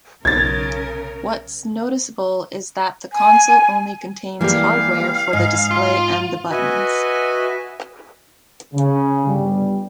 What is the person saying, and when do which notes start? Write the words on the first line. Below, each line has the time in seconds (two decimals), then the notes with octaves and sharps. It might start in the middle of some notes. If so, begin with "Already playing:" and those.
What’s noticeable is that the console only contains hardware for the display and the buttons.
0.25 B1 C#3 A#4 G#6 A6
3.13 G#5
4.41 E3 G3 G#3 A#3 G4 F5
5.33 G#2 D#5 G#5
5.71 F4
6.51 F#4 B4 D#5 E5 G#5
8.74 C#3
9.26 G1 G3